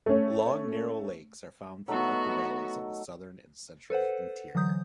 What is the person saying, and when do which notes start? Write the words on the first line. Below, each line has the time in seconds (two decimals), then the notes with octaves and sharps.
Long, narrow lakes are found throughout the valleys of the Southern and Central Interior.
0.06 A3 C#4
1.88 F#3 A3 B3 D#4 F#4
3.90 A4 B4 C5 F#5
4.55 D3 E3 F#3 D#6 G6